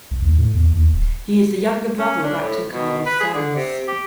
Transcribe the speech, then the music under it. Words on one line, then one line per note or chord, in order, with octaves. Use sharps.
He is the younger brother of actor Carlos Sanz.
C2
D#2
A2
E2
D#2
D1
C#4
D4
A2
B2
B4
G#4
D3
C3
G4